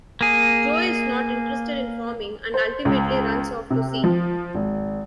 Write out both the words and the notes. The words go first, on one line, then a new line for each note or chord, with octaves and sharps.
Joe is not interested in farming and ultimately runs off to sea.
A#3 G#4
C5
C#2
C3
F3
G#1